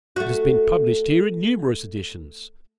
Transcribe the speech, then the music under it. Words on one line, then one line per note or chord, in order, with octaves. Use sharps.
It has been published here in numerous editions.
A3 F#4